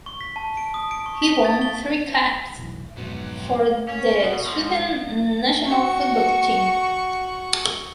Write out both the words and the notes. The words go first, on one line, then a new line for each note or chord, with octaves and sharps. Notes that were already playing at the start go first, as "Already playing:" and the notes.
He won three caps for the Sweden national football team.
C#6
B6
A5
D7
D#6
D7
C#6
B6
A6
G7
F1 B1 E3
F2 G#2 B2 F#3 B3
C#4
B2 F#4
G#2 F3
F#4 C#6